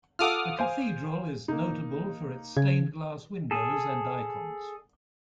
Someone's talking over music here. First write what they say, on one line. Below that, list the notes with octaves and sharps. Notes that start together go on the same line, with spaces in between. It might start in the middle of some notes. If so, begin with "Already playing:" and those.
The Cathedral is notable for its stained glass windows and icons.
F4 A4 F#5 D6 D#6 F6
C5 F5 G#5
A#3 D#4
C#3 G#6
G#4 A4